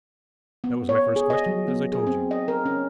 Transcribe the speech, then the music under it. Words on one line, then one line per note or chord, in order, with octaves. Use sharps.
That was my first question, as I told you.
B3
C#5
G#4
D#5
F#3
B3
G#4
C4
D#5
A#4
C#4